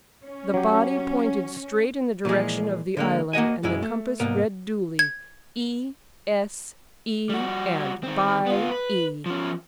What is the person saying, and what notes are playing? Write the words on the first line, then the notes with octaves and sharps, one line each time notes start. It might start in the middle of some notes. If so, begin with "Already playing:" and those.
The body pointed straight in the direction of the island, and the compass read duly E.S.E. and by E.
C#4
F#3 G4
A#2 E3 F3 G#3
D3 G#3 A#3
A#3 F#4 D#5 G#5
B1 F#2 G#3 E4
A3
C2 G#2 A#3 B3
G#6
G3 F#4
D#3 C4
B3 F4
B4
F3 C#4